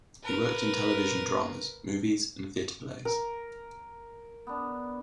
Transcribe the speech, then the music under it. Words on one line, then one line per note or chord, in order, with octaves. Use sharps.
He worked in television dramas, movies and theatre plays.
A#4 B4
A#4
B3 D4